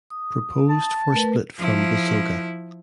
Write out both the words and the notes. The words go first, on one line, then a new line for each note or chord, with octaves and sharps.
Proposed for split from Busoga.
D#6
A5
A3 A#4 B4
F3 E4